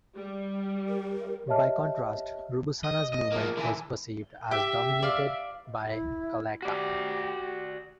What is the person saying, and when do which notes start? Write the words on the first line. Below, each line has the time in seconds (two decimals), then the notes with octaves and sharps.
By contrast, Rubusana's movement was perceived as dominated by Gcaleka.
0.16 G3
0.89 A#4
1.47 G4 C#5 D#5 E5 A5 F6
2.84 D#5
3.13 D#5
3.32 F3 A#3
3.57 D3 E3
4.51 G4 E5
5.02 D5 F5
5.85 E4
6.62 F#4 G4 D5